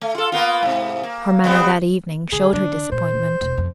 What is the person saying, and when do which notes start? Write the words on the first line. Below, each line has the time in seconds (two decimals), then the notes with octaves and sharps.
Her manner that evening showed her disappointment.
0.01 A3
0.15 F4 A4
0.32 A#3 B3 F4
0.63 G#2 C3
1.03 A#3
1.44 G3 B3 C4
2.32 D3 G#4
2.53 D3 D4
2.92 A#2 C5
3.41 E1
3.57 F2